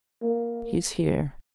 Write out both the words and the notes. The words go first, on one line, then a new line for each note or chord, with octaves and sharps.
He's here.
A#3